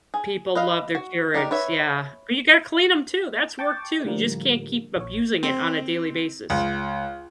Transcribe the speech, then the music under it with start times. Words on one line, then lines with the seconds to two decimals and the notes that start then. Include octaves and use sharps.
People love their Keurigs, yeah. But you gotta clean 'em too, that's work too. You just can't keep abusing it on a daily basis.
0.14 G#4
0.55 B4 D#5 F5
0.95 F#4
1.34 D4 D#4 G4 A#4
1.51 B4 C#5 E5
3.59 G5 A5 C#6 D6 A6
4.05 A2 D3 F3 G3 A#3
4.96 A#1 C#5
5.43 C4
6.50 C#2